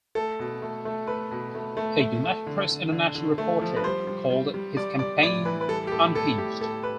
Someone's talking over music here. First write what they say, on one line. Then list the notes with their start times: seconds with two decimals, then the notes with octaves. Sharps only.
A United Press International reporter called his campaign unhinged.
0.15 A3 A4
0.39 B2
0.62 A3
0.85 A3
1.07 A3 B4
1.31 B2
1.55 A3
1.77 A3
2.00 A3
2.24 A3
2.47 D3
2.69 D3
2.92 D3
3.15 D3
3.38 A3
3.61 F3
3.76 B4
3.84 G3 C5
4.07 G3
4.30 G3
4.54 G3
4.77 G3 D5
4.99 G3 D5
5.23 A2 D5
5.45 E3 B4
5.61 B4
5.68 G3 A4
5.87 G4
5.92 A2 A4
6.15 A2 A4
6.38 A2 G4
6.60 A2 A4
6.83 B4